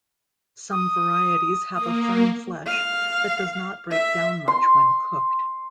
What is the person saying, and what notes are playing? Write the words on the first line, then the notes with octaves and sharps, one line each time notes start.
Some varieties have a firm flesh that does not break down much when cooked.
D#6
A#3 D#6
F5
E5
C6